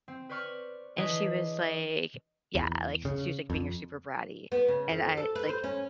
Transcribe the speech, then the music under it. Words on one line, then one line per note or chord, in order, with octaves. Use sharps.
And she was, like yeah, like, she was, like, being a super bratty and I like
C4
B4 C5 D5 C#6 F6
E3 D4 G#4 B4 C#5 D#5
E2
C#3
F2
B3
C#3
F2
A4
B4
C5
C#4